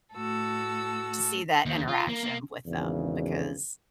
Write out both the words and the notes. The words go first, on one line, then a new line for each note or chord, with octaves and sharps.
to see that interaction with them because,
A2 A3 F#4 A4 E6
D#2
F4
A#3
A#3
G#1 E2 C#3